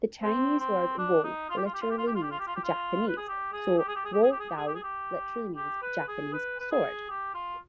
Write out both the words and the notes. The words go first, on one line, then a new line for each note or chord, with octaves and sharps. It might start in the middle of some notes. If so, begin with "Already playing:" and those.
The Chinese word "wo" literally means "Japanese", so "wodao" literally means Japanese sword.
C4
C4
D4
D#4
F4
G4
F4
G4
F4
G4
F4
G4
F4
G4
F4
G4
F4
G4
F4
B4
G#4
G4
G#4
G4
G#4
G4
G#4
G4
G#4
G4
G#4
G4
G#4
G4
G#4
G4
G4
B4
G#4
B4
B4
G#4
G4
F4